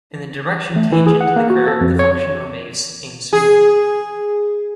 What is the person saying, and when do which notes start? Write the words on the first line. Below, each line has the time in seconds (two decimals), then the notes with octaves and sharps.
In the direction tangent to the curve, the function remains smooth.
0.76 A3
0.92 E3
1.06 G#4
1.21 F#5
1.36 A#3
1.50 F#4
1.67 A4
1.81 F2
1.99 C#5
3.33 G#4